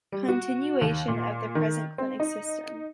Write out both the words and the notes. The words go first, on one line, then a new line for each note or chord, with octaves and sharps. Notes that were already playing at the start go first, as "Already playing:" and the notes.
Continuation of the present clinic system.
G3
F#4
D#2
A#2
D#3
C4
D#4